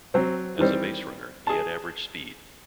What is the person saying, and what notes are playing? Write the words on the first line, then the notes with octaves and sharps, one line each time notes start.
As a baserunner, he had average speed.
F#3 C4
D#3 E3 G3 C4
G#4 A5